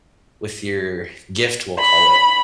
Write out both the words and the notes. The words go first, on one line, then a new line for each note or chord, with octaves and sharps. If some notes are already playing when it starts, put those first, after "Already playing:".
with your gift, we'll call it?
B5